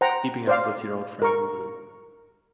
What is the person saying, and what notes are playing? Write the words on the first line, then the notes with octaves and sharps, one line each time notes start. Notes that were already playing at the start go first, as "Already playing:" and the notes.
keeping up with your old friends and
C5 F#5 G5 A#5
C5 D5 F5
A#4 C#6